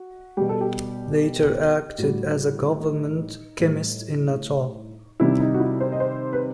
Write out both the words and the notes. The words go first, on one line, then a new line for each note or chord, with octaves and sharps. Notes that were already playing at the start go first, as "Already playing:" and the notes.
Later acted as a Government Chemist in Natal.
Already playing: F#4
B2 G3 G4
A4
G4
A2 G3 F#4
D#4
A2 G3
C3 D#3 G3 E4
D#4
F#4
E4
C5
D#5
C5
B4